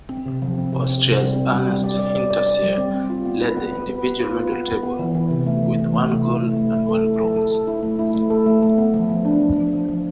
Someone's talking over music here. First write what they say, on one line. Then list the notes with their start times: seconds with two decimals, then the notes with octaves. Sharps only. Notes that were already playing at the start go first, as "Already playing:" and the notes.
Austria's Ernst Hinterseer led the individual medal table, with one gold and one bronze.
0.09 C4
0.26 C3
0.42 F3
0.58 C4
0.72 C3
0.89 C4
1.04 C3
1.20 G3
1.35 C4
1.52 G3
1.68 G3
1.84 D5
1.99 D5
2.15 D5
2.31 D5
2.46 D5
2.62 G3
2.78 C4
2.94 C4
3.10 F4
3.25 B3
3.41 B4
3.57 B3
3.72 B3
3.89 B4
4.04 B3
4.20 F4
4.36 B4
4.52 B3
4.68 B3
4.83 B3
4.99 E3
5.15 E3
5.30 C3
5.46 A3
5.62 E3
5.78 E3
5.94 A3
6.10 C3
6.25 E4
6.41 A3
6.57 A3
6.72 A3
6.89 A4
7.04 E4
7.20 A4
7.36 A4
7.51 A4
7.67 E4
7.83 A3
7.99 E4
8.15 A3
8.30 A4
8.46 A3
8.62 A3
8.78 B3
8.94 F3
9.09 F3
9.25 D4
9.40 F3
9.56 F3
9.73 F3
9.88 F3